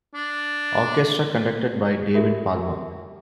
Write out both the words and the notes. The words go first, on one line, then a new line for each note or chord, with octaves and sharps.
Orchestra conducted by David Palmer.
D4
F#4 G4 A#4 E5